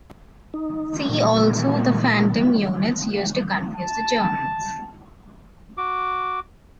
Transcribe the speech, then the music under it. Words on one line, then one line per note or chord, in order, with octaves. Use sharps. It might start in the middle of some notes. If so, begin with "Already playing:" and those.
See also the "phantom" units used to confuse the Germans.
D#4
A#2
A5
F#4 D6